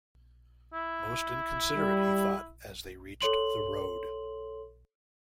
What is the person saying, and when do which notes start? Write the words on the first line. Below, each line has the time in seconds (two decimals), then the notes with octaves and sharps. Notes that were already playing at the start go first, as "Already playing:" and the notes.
Most inconsiderate, he thought, as they reached the road.
0.73 E4
1.76 G3
3.21 A4 C#5 C6 F#7